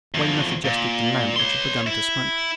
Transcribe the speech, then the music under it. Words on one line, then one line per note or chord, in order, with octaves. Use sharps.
Weymouth adjusted the lamp which had begun to smoke.
E2 F3
A#2
C#5 C6
E4